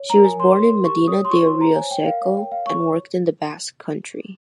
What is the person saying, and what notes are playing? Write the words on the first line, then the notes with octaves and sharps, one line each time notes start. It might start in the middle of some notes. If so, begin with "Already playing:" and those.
She was born in Medina de Rioseco and worked in the Basque Country.
Already playing: C#5
A#5
A#4
G#5
C#5 C6
A#4
G4 C#6
C#5 D#6
C6
F4 C#6
C6
C5
A#5
C#5 G#5
G5
A#4
F5
C#5 F5
G5
A#4
F5
C#5 C#6